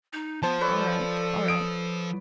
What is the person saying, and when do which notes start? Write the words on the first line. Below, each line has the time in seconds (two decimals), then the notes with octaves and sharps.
"All right, all right...."
0.13 D#4
0.43 F3 B3 C5 A5
0.61 A4 B4 C#5 D5
1.48 D#6 D7